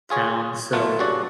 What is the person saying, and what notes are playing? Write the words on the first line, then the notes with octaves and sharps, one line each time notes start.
town, so,
F4 G#4 C#5
B2 F#3 A3 F4
G2 C#3 F#4 D5